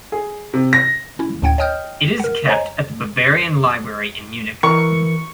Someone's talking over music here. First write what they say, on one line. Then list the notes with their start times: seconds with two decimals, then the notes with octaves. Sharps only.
It is kept at the Bavarian library in Munich.
0.12 G#4
0.54 C3
0.73 A#6
1.19 C#4 E4
1.42 D2 A2 C#4 F#5 G5 G#6
1.58 C#5 D#5 G5 D#6 F6 G6
2.20 A#4 F#5
2.48 C5 C#5 D#5 G#5 A#5
4.63 E3 A#4 C#6